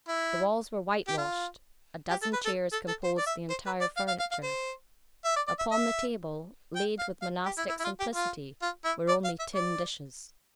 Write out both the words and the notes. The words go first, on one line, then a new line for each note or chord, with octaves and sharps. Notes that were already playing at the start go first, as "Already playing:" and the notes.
The walls were whitewashed; a dozen chairs composed the entire furniture; upon the table, laid with monastic simplicity, were only tin dishes.
E4
G4
F4
G4
A4
B4
A4
A4
A4
C5
D5
E5
C5
B4
D5
F5
F5
F5
F5
C5
E5
D5
D5
E5
E5
G5
F5
F5
G4
E4
E4
E4
F4
G4
F4
F4
E4
D5
F5
E5
D5